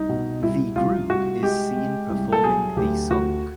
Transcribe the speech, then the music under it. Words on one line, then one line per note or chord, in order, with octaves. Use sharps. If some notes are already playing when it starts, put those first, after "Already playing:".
The group is seen performing the song.
Already playing: C2 D#4
B2
C2 E4
C2 F4
C2 F#4
G#3 G4
G#3
C2
A4
F#3 G#4
D2 G4
D2 F#4